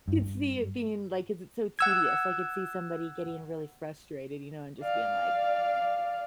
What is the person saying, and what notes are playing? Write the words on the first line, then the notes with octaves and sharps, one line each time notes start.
could see it being like 'Cause it's so tedious, I could see somebody getting really frustrated, you know, and just being, like,
G2
F#5 E6 G#6
D5 F5